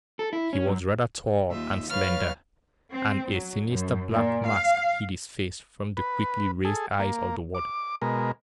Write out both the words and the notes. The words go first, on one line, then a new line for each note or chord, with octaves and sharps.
He was rather tall and slender, and a sinister black mask hid his face from the quickly raised eyes of the warden.
A4
E4
C#4
F#2
D#2 D#4 F4 E5
F#3 B4 C#5 F5 F6 A6
C4
F#3
F#2
A#2
F5
B4
G#4 A4
A#3
D6
B2 G#3 A#4